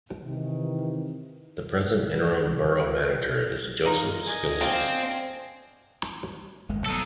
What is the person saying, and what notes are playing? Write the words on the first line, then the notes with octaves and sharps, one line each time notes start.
The present interim Borough manager is Joseph Scalise.
C3 D#3 E3
D#4 F4 A#4
D#5 G#5
D3 C4 F5
D1 G#1 G#3
E2 F#3 B3 D#4 A4